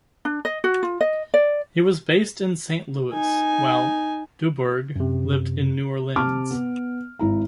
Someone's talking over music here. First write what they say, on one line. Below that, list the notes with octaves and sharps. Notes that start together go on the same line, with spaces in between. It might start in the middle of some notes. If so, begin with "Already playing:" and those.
He was based in Saint Louis, while Dubourg lived in New Orleans.
D4
D#5
F#4
F4
D#5
D5
D#4 G#5
F#2 C3
C3 A5 D6 F6
B3
G#1 E4 A#5